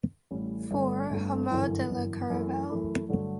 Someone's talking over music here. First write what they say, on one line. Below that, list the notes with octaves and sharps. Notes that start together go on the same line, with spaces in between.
Four, Hameau de la Caravelle.
A1 A2 G3 C#4 E4
G1 G2 D3 A3 C#4
G1 G2 D3 A3 C#4
G1 F#2 E3
G1 F#2 E3
F#2 E3 A3 E4
F#2 E3 A3 E4
G2 D3 F#3 A3